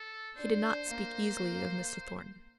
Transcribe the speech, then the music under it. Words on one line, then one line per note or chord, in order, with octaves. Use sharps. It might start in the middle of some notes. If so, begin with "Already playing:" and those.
He did not speak easily of Mr. Thornton.
Already playing: A4
D4 C5
A#3